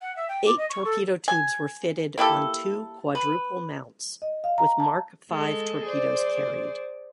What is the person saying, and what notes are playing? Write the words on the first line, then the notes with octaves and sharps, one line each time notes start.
Eight torpedo tubes were fitted on two quadruple mounts, with Mark Five torpedoes carried.
F#5
E5
G5
D6
D#5
C#6
A4
G#5
A#3 E4 G4 A4
B4
D#5
F5
A#5
A5
G#3 A4
G#4 C5 D5